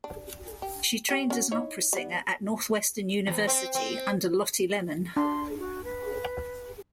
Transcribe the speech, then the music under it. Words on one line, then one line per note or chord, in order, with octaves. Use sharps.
She trained as an opera singer at Northwestern University under Lotte Lehmann.
D4
G4
C4 G4 C#5
C#4 F#4
D#4 E4 C#5
G3 B3
E2
C4
C4
D4 C6
F#4
B4